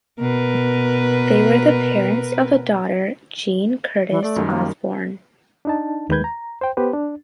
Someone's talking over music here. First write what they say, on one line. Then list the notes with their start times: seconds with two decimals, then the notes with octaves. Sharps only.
They were the parents of a daughter, Jean Curtis Osborne.
0.19 B2 A#4 B4
4.10 E3
4.23 A3 D5
4.36 F#2 D#3 G3
4.51 A#3
5.65 D4 D#4 A5
6.09 D#2 D#3 G#3 B4 G6 G#6
6.24 A#5
6.61 C5 G5
6.77 B3 G4 B4 C5
6.93 D4